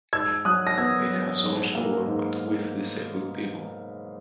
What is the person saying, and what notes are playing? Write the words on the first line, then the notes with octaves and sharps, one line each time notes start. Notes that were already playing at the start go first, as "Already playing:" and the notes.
It has also worked with disabled people.
G#2 E6 G#6
F#3 D#6 F#6
A#6
B3 E6 G#6
F#3
G#2
A#3
G#2